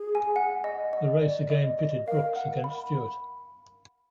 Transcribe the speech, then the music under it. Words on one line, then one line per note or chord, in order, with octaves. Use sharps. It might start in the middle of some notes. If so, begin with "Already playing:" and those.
The race again pitted Brooks against Stewart.
Already playing: G#4
G#5
F#5
D#5
D#5
D5
D#5
D#5
A#4 F5
F#5
B5